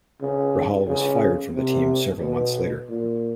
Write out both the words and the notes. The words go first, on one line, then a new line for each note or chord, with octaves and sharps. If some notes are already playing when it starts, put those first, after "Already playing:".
Rahal was fired from the team several months later.
C#3
C#3
C3
B2
A#2